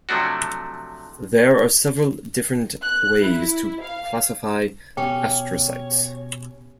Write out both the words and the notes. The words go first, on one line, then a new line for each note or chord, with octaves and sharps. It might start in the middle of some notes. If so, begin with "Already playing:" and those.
There are several different ways to classify astrocytes.
C3 F3 F#3 A3 D4 F#4
F#6
E4
F5
B2 C#4 G4 C#5 G5